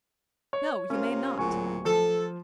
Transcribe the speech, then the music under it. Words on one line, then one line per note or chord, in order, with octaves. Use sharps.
"No; you may not."
C#5
C3 C#4 F4 A#4
D1 A#2 C#3 F#3 G#5 C#6
F3 A4